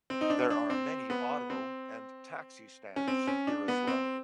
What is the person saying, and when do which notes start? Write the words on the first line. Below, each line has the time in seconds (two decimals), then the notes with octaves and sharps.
There are many auto and taxi stands here as well.
0.10 C4
0.21 D#4
0.30 D4
0.50 D4
0.70 C4
1.10 B3
1.50 C4
2.96 C#4
3.08 C4
3.27 C#4
3.47 D4
3.68 B3
3.87 C4